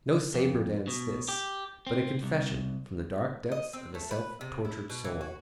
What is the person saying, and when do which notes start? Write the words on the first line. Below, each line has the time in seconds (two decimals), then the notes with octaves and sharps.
No "sabre dance" this, but a confession from the dark depths of a self-tortured soul.
0.34 F2
0.88 B2
1.29 G4
1.87 C4
2.23 C2
3.52 D#5
3.73 C4
3.95 A3
4.11 B4
4.41 C3
4.65 E4
4.90 B2
5.05 E3
5.21 F#4